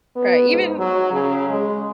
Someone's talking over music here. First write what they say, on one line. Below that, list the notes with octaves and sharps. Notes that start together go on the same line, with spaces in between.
Right, even
B3
G#2
F#3
C#3
G#3